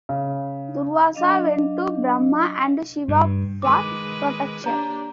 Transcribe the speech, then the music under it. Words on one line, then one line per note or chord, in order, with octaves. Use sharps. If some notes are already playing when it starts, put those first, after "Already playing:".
Durvasa went to Brahma and Shiva for protection.
C#3
F#3 D4 D#5 F5
G2
D#3 G#3 B4 D6
A#3 D4 G4 C#5 A#5